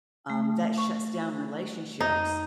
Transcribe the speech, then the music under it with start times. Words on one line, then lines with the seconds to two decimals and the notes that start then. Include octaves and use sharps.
Um, that shuts down relationships
0.30 A3
0.78 C#6
2.00 F2 D#4